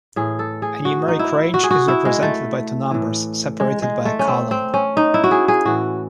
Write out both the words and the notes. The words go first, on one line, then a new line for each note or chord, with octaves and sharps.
A numeric range is represented by two numbers separated by a colon.
A2 E3 G#4
A4
G#4
F#4
D#4
E4
F#4
G#4
F#4
E4
G#3
A3
A2 E3
G#3
G#3
A3
C#4
C4
C4
C#4
D#4
E4
F#4
G#4
G#4
A2 E3 F#4